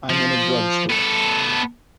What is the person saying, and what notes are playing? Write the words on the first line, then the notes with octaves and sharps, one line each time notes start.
I'm in a drugstore.
F3
B3 A4